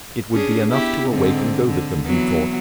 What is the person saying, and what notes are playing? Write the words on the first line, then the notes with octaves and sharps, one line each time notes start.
It would be enough to awaken Govicum, he thought.
C#4 D4 G#4
B3 E4 G4
G#2 D3 C4
D3
E3 F#3 B3